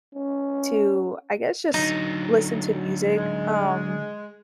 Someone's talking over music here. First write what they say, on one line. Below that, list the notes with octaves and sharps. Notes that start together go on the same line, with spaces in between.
to, I guess, just listen to music, um,
C#4
D3 F#3 D#4
G#3